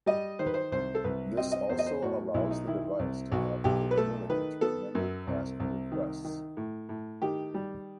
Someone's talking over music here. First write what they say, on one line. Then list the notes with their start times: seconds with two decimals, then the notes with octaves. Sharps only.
This also allows the device to have the capability to remember past requests.
0.06 G3 D#5
0.39 D#3 C5
0.46 B4
0.54 C5
0.72 C2 C5
0.95 A4
1.04 C2 B4
1.37 C4 D#5
1.52 D#5
1.69 E2 C5
1.79 D#5
1.87 C5
2.02 A2 F#4
2.34 B1 E4
2.51 D#4
2.67 D#3 E4
2.99 C2
3.32 B1 F#4
3.64 B1 G4
3.91 B4
3.97 A3 A4
4.30 D#3 B4
4.61 B3 A4
4.95 F#2
5.27 C2
5.60 C2
5.92 D#3
6.24 D#3
6.57 A2
6.89 A2
7.22 D#3 G4
7.54 G3